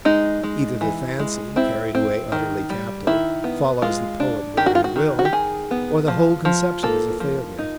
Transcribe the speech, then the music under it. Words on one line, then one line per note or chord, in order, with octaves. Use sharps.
Either the fancy, carried away utterly captive, follows the poet whither he will, or the whole conception is a failure.
G#3 D#4
G#3
E3
G#3
C4 E4
C4
D#3
G3
D#3 E4
B3
G#3 F4
D4
D#3 G4
F#4
F4
F#4
D#3
F#4
G4
D#3 G#4
B3
F3
F3
A#3 A4
F3
D#4